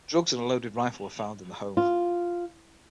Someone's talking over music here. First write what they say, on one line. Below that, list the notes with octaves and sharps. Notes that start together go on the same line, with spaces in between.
Drugs and a loaded rifle were found in the home.
F4